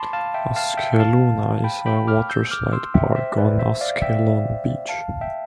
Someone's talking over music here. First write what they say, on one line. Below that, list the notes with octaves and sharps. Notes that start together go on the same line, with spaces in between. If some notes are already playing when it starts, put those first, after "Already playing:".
Ashkeluna is a water-slide park on Ashkelon beach.
Already playing: A5 B5 C6 D6
F5 A5
E5 G5
F5 A5
E5 G5
F5 A5
G5 B5
G5 B5
D6 F6
E6 G6
D6 F6
C6 E6
E5 G5
C5 E5
B4 D5
C5 E5
D5 F5
E5 G5
F5 A5
E5 G5